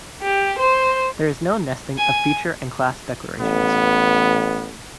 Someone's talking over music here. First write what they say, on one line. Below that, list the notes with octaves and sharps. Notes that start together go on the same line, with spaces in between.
There is no nesting of feature and class declarations.
G4
C5
G#5
A1 B3